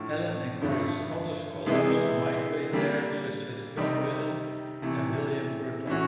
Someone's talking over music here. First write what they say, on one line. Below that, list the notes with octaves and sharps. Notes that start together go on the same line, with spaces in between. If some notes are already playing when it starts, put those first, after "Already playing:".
Allen encouraged other scholars to migrate there, such as John Budden and William Burton.
Already playing: A2 F3 A3 D4 F4
G2 D3 F3 A3
C3 E3 G#3 B3 E4
D3 G3 A#3
C3 D#3 G3 C4 D#4
C3 E3 A3
E3 A3 C#4 F#4